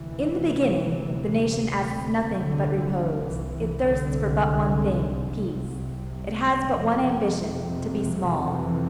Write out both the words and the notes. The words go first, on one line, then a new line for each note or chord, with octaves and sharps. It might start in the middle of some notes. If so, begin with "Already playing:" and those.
In the beginning, the nation asks nothing but repose; it thirsts for but one thing, peace; it has but one ambition, to be small.
Already playing: D2 C3 E3
D3
C2 C3 E3
E3
D3
F2 C3
E3